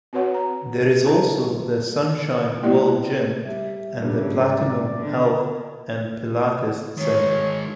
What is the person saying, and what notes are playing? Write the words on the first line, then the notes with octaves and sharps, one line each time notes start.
There is also the Sunshine World Gym and the Platinum Health and Pilates centre.
C4 F#4 B4 C#5 F#5
A#5
E4 B4 A5 A#5
G#3 A#3 B3 E4 G4 D5
G3 E5
G#2 C#3 G3 B3 D4 A4
D5 A#5
D3
D#3 G#3 C#5